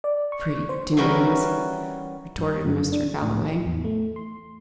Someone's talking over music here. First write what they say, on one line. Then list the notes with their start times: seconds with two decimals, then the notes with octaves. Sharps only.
"Pretty doings!" retorted Mr. Galloway.
0.04 D5
0.32 C#6
0.69 C5
0.97 E3 G3 C#4 F#4 A#4 B4
2.38 G2
2.66 F#2
2.92 D4
3.22 A2
3.66 E2
3.85 A3
4.16 C6